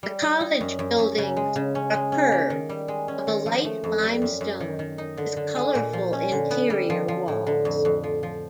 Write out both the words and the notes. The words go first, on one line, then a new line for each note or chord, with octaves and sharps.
The College buildings are curved, of a light limestone with colourful interior walls.
G3
G3
D#4
F#2
F#2
F#2
C#3
G#3
C#3
C#4
G#3
C#4
A#3
D#3
G3
G#3
C#4
D#3
F3
A3
F2
G3
F#2
F#2
D#3
D#3
D#4
D3
D3
G#3
A#2
F3
C#4
D3
B3
G3
F3
F3
A2
D3
F2
F2
F3
F3